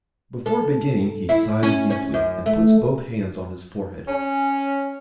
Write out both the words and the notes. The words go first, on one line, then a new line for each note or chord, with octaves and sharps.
Before beginning, he sighs deeply and puts both hands on his forehead.
A4
E4
C#4
C#4
F#2
A3
C#4